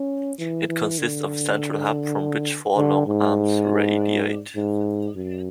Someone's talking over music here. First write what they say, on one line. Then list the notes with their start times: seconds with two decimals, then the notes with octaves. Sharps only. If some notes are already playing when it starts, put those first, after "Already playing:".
It consists of a central hub, from which four long arms radiate.
Already playing: C#4
0.39 E3
0.69 E3
0.99 D3
2.77 D3
3.07 G#2
4.56 G#2
5.15 F#2